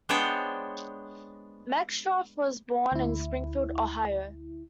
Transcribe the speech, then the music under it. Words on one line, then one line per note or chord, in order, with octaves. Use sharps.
Meckstroth was born in Springfield, Ohio.
G#3 B3 D4 C5 C#5 G5
D2 E4